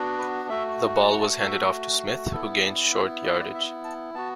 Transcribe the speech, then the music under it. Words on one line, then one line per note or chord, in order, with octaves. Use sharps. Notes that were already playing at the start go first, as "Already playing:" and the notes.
The ball was handed off to Smith, who gained short yardage.
Already playing: B3 D4 F#4
B4
A3 F#4 E5
F#5
A5
F#5
A5
F#5
E5
B3 E4 A4
D5
E5
D5
E5
D5
E5
A5
B3 F#4 A5